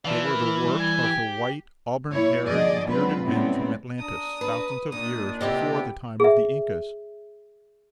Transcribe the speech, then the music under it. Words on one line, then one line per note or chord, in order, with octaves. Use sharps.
They were the work of the white, auburn-haired, bearded men from Atlantis, thousands of years before the time of the Incas.
E3 D5 F5 A5
A#4 B5
G3
G#5
G4 G5
A#3 E4 C#5
D#2 D3 F3 G#4 D5 D#5
D3 F#3 G#3 C4 F4 B4
A2 C#3 G3 A3 B3 C4
D4 A#5 D#6
B4
A#2 D4 D#4 D#6
C3 B3 E4 G4 D#5
G#4 E5